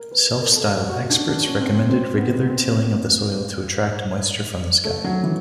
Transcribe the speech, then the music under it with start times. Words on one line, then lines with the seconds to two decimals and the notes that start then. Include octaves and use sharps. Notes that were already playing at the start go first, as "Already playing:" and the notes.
Self-styled experts recommended regular tilling of the soil to "attract" moisture from the sky.
Already playing: A#4
0.11 B4
0.40 A#4
0.56 A4
0.71 G4
0.90 F#4
1.10 D4
1.29 D4
1.45 C#4
1.59 C4
1.74 C4
1.89 C4
2.18 B3
2.47 C4
4.85 A3
5.04 F#3
5.23 E3